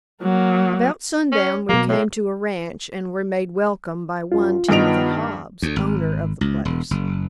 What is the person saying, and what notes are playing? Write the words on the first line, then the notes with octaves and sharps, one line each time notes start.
About sundown we came to a ranch and were made welcome by one Timothy Hobbs, owner of the place.
F#3 A#3
C#4
B2 F#3 A#3
A2
F#2 F4
G2 D#3 B3 D#5 D7 F7
D2
G#1
C#2
E1
F#1